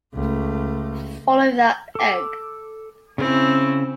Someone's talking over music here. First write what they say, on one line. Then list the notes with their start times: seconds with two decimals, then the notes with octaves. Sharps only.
Follow That Egg!
0.14 C#2 A3
1.95 A4 D6
3.18 C#3 C4 C#4 E4